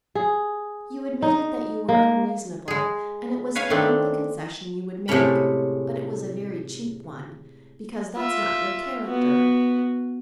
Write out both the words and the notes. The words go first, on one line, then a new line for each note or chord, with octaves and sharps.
You admitted that you were unreasonable, and it was the only concession you would make; but it was a very cheap one, because that's not your character.
G#4
D#4
A#3
G#3 G#4
B4 C#5 F5 G#5
D#3 A3 C4 D4
A2 C3 G#3 A3 C#4 B5
F4 E5
B3 F#4